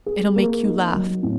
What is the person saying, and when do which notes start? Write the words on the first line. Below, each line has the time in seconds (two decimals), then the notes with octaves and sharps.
It'll make you laugh.
0.06 G#4
0.36 A#3
0.64 D#4
0.93 F#3
1.23 A2